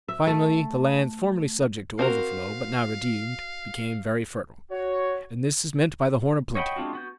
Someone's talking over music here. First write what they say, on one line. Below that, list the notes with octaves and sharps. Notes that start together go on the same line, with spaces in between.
Finally, the lands formerly subject to overflow, but now redeemed, became very fertile, and this is meant by the horn of plenty.
E5
A3
C4 F#4 A#4 F5
F#4 C#5
C#5 D#5 F#5 G5 B5
G#3 C4 D4 F4 F#4
B3 F#4 G6